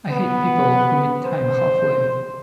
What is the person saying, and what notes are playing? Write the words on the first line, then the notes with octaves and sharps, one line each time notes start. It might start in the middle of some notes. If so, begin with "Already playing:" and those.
I hate people who meet time halfway.
B3
C5